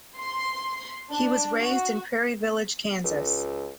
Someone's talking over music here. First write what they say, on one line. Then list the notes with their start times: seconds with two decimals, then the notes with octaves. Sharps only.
He was raised in Prairie Village, Kansas.
0.19 C6
1.12 D4
1.60 F#4
3.04 C#2